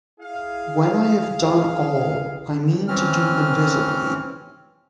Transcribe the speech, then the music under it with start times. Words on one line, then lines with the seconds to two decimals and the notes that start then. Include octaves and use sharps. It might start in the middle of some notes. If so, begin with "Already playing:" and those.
When I have done all I mean to do invisibly.
0.20 E4 G#4 F5
2.88 E3 C4 C#4 F6